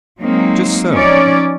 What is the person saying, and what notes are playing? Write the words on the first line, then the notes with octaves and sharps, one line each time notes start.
Just so.
F#3 G#3 A#3 C4 D#4
F3 C#4 D#4 C#5 D5